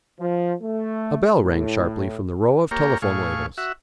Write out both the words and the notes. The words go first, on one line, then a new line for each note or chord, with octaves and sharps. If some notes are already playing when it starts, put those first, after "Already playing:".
A bell rang sharply from the row of telephone labels.
F3
A3
A2
A#3 G4 A#4 C#5
A2 G#4 F5 C#6
F#4 E5